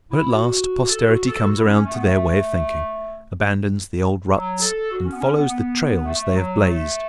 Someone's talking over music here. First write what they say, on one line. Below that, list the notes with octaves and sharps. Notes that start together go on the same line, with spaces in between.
But at last posterity comes around to their way of thinking, abandons the old ruts and follows the trails they have blazed.
E4
F#4
A4
F#4
A4
F#4
E4
C#4
A3
B3
A3
F#3
A4
F#4
C#4
B3
C#4
B3
B3
A3
F#3
A3